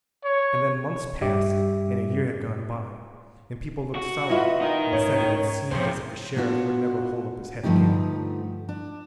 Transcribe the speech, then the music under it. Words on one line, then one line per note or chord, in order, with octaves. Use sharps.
And then months passed and a year had gone by, and people looked solemn and said that it seemed as if the Sheriff would never hold up his head again.
C#5
G2 G3 G4 E5 D6
F#4
E4 F4 B4 D#5
D#4 A#4
G#2 C#4 C#5
D2 C3 F3 C#4 C5
B3 D4 F4 F#4
G2 D3 F3 A3 D#4 G4
D4